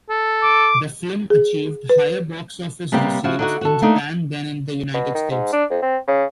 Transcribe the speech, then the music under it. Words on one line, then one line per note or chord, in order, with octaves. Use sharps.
The film achieved higher box office receipts in Japan than in the United States.
A4
D6
G#4
B4
C3 G3 A#3 B3 G4
F3 E4 F#4
D3 D#4 F#4
F#4 A4
A3 A#3 D4 D#4
B2
D#3
G#2
D4
F2
C4
C#3